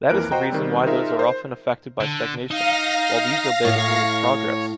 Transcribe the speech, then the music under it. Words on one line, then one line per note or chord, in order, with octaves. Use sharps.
That is the reason why those are often affected by stagnation, while these obey the rule of progress.
F2 E3 A#3 A#4 F#6 D7
F#4 C5 D#5 G5 A#5
D#3 G3 C4
D#4 F4 G#4 A#4 C5 E5
C5
D3
D#4 F5 A#6
A2 C#5